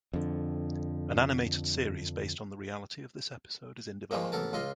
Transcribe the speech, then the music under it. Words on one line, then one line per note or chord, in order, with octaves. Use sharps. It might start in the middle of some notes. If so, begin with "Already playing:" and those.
An animated series based on the reality of this episode is in development.
F2 D3
D#3 F3 G#3 A#3 D#4
A1 B3 A4 A#4 A5
C#2 F4 D#5 C6